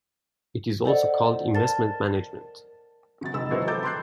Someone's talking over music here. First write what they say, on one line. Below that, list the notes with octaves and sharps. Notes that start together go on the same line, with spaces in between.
It is also called investment management.
A4 C5 D5 D#5 F#5
A#4 A5 A6
C#3 F#3 A6
F1 G#3 D#4 B5 E6
E3 F#3 G#3 A#3 F#4 C5
A4 A#5 D6 G6 A6
B5 C6 D6 F#6 G6 C7